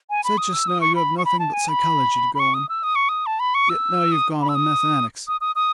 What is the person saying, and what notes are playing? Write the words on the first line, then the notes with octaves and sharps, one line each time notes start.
You said just now you have nothing but psychology to go on, yet now you've gone on mathematics.
G#5
B5
D#6
E6
D#6
C#6
B5
C#6
B5
A5
G#5
B5
B5
C#6
D#6
E6
D#6
C#6
D#6
A5
B5
C#6
E6
D#6
B5
E6
D#6
D#6
D#6
D#6